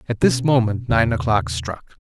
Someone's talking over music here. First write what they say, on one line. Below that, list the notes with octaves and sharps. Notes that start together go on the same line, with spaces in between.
At this moment nine o'clock struck.
B2 C#4
E2 A#2 C#3